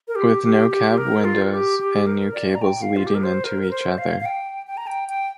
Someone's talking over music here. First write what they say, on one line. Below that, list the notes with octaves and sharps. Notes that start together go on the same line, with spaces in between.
With no cab windows and new cables leading into each other.
A#4
G4
G4
G4
G4
A#4
F4
A#4
G4
G4
A#4
D5
A#5
G5
F5
F4
G4
A#4
C5
A#4
A#4
C5
F5
F5
G5
G5
A#5
G5
G5